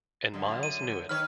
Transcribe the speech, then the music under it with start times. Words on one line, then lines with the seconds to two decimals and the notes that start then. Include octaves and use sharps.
And Miles knew it.
0.34 F#2 D3
0.63 D#7
1.09 D#3 B4 C#5 F6